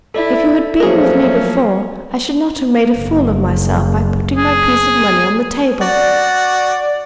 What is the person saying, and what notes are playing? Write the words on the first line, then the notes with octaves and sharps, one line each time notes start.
If you had been with me before, I should not have made a fool of myself by putting my piece of money on the table.
E4 A4 D5 E5
F3 F#3 A3 A#3 C#4 G#4 A#4
F#1
G#4
F#4 D5